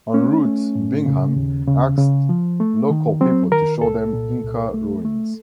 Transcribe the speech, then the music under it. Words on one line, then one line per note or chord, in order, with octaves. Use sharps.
En route Bingham asked local people to show them Inca ruins.
A3 C#4
A3
A2
C#3
D#2
C#3
C#3
F3
A3
D#3
F#3 C4
D#3 A#4
C2 A4
A#2
C2
A3
A3